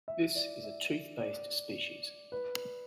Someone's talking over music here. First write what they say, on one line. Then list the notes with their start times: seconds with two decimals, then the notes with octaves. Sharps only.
This is a tooth-based species.
0.08 E5
0.35 D5
0.64 E5
1.20 D5
2.32 B4